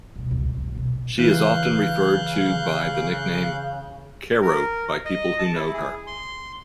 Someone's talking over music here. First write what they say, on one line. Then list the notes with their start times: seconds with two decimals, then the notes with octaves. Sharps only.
She is often referred to by the nickname 'Carro' by people who know her.
0.16 B2 D3
0.31 C#2 F#2
0.45 B2
0.57 A1 A#2
0.75 B2
1.19 C#3 E3 F5 F#6 G6
4.42 A#4
5.05 D#5
5.39 A5
5.55 E4
5.74 G#4
6.07 C6